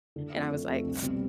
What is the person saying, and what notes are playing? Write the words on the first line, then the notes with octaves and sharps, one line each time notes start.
and I was, like,
D3
F3 A3 C4
D3
F3 A3 C4
C2
B2 G3 C4